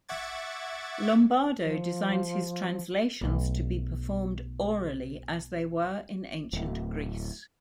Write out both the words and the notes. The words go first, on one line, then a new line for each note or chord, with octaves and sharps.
Lombardo designs his translations to be performed orally, as they were in ancient Greece.
E5 F#5 C#6 D6 G#6 A6
F3
B1 A3
D1